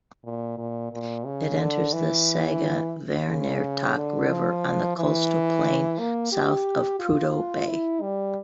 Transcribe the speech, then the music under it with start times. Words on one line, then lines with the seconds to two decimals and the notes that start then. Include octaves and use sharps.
It enters the Sagavanirktok River on the coastal plain south of Prudhoe Bay.
0.24 A#2
0.58 A#2
0.92 A#2
1.26 C#3
1.60 D3
1.93 E3
3.29 C#3
3.97 D3
4.30 F3
4.97 E3
5.99 A#3
6.32 G4
7.00 F4
7.68 E4
8.02 G3